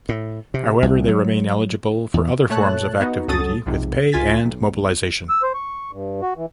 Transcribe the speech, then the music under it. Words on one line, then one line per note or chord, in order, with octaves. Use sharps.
However, they remain eligible for other forms of active duty with pay and mobilization.
A2
C3
C2
F#3
E2
A#2 A3 C#5 A5 F#6
B3 D#4 F#4
C#2 F#3 C#4 A4 D#6 A6
B1 F2 G#2 C3
C#2 F4 G#5 A6 B6
B1
E6
C5
C#6
G2
F#4
E3